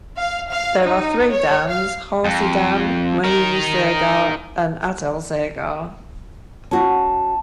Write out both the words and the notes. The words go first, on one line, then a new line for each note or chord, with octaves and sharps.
There are three dams, Harsi Dam, Mohini Sagar and Atal Sagar.
F5
F5
D#4
C#5
F5
F2
D#4 A#4
C#4 F#4 A5